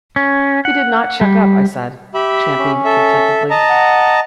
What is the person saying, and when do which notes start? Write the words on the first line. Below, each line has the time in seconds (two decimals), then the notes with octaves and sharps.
'He did not check up' I said, champing contentedly.
0.16 C#4
0.65 F#5
1.21 G3
2.14 G4 E5 B5
2.59 C#4
2.85 A4 E5
3.50 D#5 A5 A#5
3.70 F#5